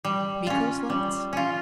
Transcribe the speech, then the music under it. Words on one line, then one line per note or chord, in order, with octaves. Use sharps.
Miko's lights?
G3
C#4 F4
G3
C#4 F4